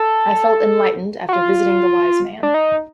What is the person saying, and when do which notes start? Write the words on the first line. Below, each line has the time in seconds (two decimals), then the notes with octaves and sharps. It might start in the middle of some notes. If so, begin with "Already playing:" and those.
I felt enlightened after visiting the wise man.
Already playing: A4
1.29 F#4
1.33 F4
2.43 D4
2.54 D#4